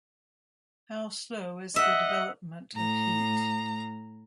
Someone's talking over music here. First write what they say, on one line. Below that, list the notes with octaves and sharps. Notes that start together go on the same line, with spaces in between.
How slow is the development of heat.
D#5 E5 F#5
A2 A#5